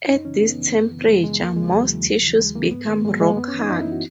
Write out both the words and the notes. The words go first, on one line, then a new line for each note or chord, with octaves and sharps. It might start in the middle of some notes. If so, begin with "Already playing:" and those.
At this temperature, most tissues become rock-hard.
F#2 D#4
C#3 E3 C#4
F#2 B3
C#3 E3
F#2
C#3 E3
F#2 G#3
C#3 E3 G#3
E2 A#3
C#3 E3 G#3
E2 F#3
C#3 E3
D#2
C#3
E3
D#2 G#3
C#3 E3 A#3
G#2 B3
D#3 A#3
G#2 G#3
F#3
D#3 G#3
A#3
F#2 B3
C#4
E3
D#4
F#2 D#4
E4
E3
F#4